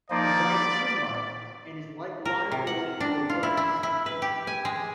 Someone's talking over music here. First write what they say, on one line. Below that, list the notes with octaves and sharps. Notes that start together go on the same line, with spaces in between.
It rises from mud, and is like water lily or lotus.
F3 A#3 D#4 D5
B5
A#4
C3
F#5
D4
F4
E4
E4
E4
B4
G4
G#5
G#3